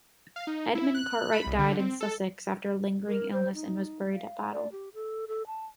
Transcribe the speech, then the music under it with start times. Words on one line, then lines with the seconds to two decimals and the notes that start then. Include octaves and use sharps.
Edmund Cartwright died in Sussex after a lingering illness and was buried at Battle.
0.36 F5
0.47 D#4
0.75 E4
0.94 F#6
1.32 B5
1.46 C2
1.59 D3
1.79 C4
2.01 A4
3.08 A#4
3.32 C5
3.54 D#4
4.12 F5
4.52 D5
4.72 G4
4.94 A4
5.28 A4
5.47 A5